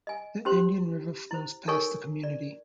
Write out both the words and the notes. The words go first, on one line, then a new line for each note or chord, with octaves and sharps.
The Indian River flows past the community.
D#5 G#5
C#4 G4 C5 C6
E4 C5
D#4 A4 A#4 C#5 G#5 C#6
D5